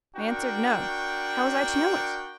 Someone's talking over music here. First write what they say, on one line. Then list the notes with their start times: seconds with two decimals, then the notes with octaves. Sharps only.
I answered, No; how was I to know it?
0.16 D4 F#4 A#4 G5